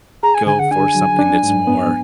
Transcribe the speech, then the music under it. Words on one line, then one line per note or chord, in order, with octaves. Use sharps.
go for something that's more
G#4 A#5
G#5
D3 G#5
F#5
D4 G#5
F#3
D4
G#2
B3